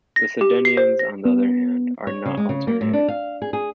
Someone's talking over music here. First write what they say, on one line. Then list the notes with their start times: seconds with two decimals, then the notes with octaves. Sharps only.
The sedenions, on the other hand, are not alternative.
0.16 A#6
0.41 G4
0.65 C7
0.77 C5
0.99 A#6
1.25 B3
2.07 C#5
2.26 C#3
2.37 G#3
2.49 C#3
2.67 A#3
2.81 A2
2.93 D4
3.08 F5
3.42 G#4
3.53 G#4